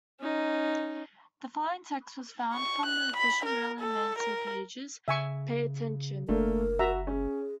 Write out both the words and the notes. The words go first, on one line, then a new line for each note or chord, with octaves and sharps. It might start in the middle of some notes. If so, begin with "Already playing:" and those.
The following text was found from the official Marilyn Manson pages: Pay attention!
C#4 D#4
C#6
F#6
B5
A#4
A4
A#4
C#3 E5 G#5 C#6
F#1 A3 A#3 D4 A#4
F#4 E5 A#5
C#4 G#4